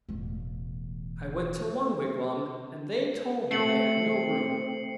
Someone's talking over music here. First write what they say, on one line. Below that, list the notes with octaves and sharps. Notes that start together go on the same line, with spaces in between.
I went to one wigwam, and they told me they had no room.
E1 A1
A3 C4 C7 C#7 F#7